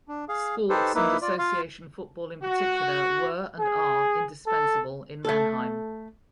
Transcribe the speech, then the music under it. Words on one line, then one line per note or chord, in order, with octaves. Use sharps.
Sports and association football in particular were and are indispensable in Mannheim.
D4
G#4 F5
D#4 G4 A4 B4 C5
A#3 D#4 E4 B4
F4 D5
F4 F5
F#4
G#4
A4
A3 A4